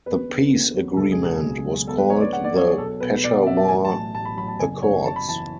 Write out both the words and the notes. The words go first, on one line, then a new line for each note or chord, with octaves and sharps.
The peace agreement was called the Peshawar Accords.
E2 B4
D3
E2
F#3
C#2 A4
G#4
B2
G#4
C#2
F#3
E2 A4
B4
D3 C#5
D5
E2 F#5
D5
F#3 C#5
G#4
B1 A4
B2 B4
B1 D5
F#5
F#3 E5
A5
A1 G#5
A5
A2
A1 A5
B5
F#3 B5
A5
F#1 G#5
F#2 C#5
F#1 A5
B5
E3 A5